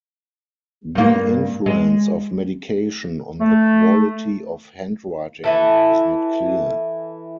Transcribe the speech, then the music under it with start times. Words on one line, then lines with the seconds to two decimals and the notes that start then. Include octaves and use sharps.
The influence of medication on the quality of handwriting is not clear.
0.95 G2 A#3
1.66 G#3
3.40 A3
5.44 E3 E4 A4